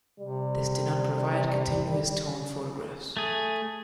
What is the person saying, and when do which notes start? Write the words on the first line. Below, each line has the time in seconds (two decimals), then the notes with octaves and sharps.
This did not provide continuous-tone photographs.
0.20 C3 G3
3.17 A3 G#4